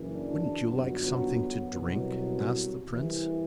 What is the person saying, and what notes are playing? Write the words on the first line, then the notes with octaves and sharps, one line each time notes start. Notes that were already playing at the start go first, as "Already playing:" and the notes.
"Wouldn't you like something to drink?" asked the Prince.
Already playing: F#1 F#2 E3
D4
G1 F#2 F#3 B3
C2 B2 F#3
C2 C3 E3